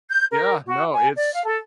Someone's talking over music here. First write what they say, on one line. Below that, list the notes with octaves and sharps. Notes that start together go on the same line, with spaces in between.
Yeah, no, it's
G6
A#4
F#4
G#5
D5
F5
A4